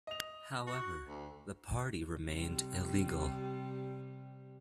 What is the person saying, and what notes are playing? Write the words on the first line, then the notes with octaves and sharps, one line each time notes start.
However, the party remained illegal.
D#5 F7
F#4
D2
C3 G3